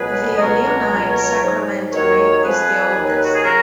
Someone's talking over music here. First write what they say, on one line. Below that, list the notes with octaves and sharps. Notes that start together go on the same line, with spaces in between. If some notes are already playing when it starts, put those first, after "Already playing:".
The "Leonine Sacramentary" is the oldest.
Already playing: C#2 B2 F#3 G#4 B4
D#5
C#2 B2 F#3 A#4 C#5
C#2 B2 F#3
G#2 F#3
D#2 D#3 F#3 A#4 C#5
F2 F3 G#4 B4
D#2 D#3 F#3
F#4
G#4
C#3 F#3 F#4 A#4